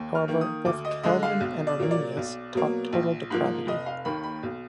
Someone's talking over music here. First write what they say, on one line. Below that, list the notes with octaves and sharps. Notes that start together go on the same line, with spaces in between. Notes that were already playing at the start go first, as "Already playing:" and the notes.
However, both Calvin and Arminius taught total depravity.
Already playing: D#2
F6
D#3 A#3
D#6
D2 D6
D#5
D3 G#3 D#5
F5
B1
D5
A#2 F#3 A#3
D5
B1
B2 F#3 A#3
A#1
G#2 F3 A#3
F1 D#5
F5
D#2 D#3 A#3 B5
B5
B1